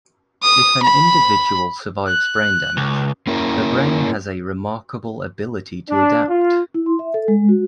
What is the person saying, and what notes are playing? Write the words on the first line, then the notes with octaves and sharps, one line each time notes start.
If an individual survives brain damage, the brain has a remarkable ability to adapt.
D#6
B5
F#6
C#2
A#3 C#4 E4 A#4
D4
F4
E4
C6
E5
A4
G#3
F#4